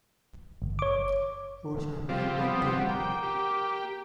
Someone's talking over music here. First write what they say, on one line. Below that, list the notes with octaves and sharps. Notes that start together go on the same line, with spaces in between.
Eorsa may have done too.
G1
C#5 D6
F3 G3 C4 F5
B3
F#5
A#3 G5
G4